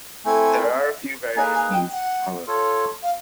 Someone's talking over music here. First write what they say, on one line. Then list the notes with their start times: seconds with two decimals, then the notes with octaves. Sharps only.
There are a few variations, however.
0.25 A3 C4 E4 A4 G#5
1.36 A#3 D#4 G#4 B4 G#5
1.54 G#5
1.72 G5
1.92 F#5
2.47 F4 A4 C#5
3.02 F5